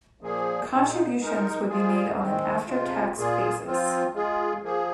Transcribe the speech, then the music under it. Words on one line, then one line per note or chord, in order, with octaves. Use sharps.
Contributions would be made on an after-tax basis.
A#2 F3 A#3 G#4
A#2 G#3 D#4
G#3 D#4 A#4
F3 G#3 F4 G#4
D#3 G#3 C4
C3 G#3 F4
A#2 A#3 F4 G#4
F3 C4 F4
G#3 F4 G#4
F3 A#3 G#4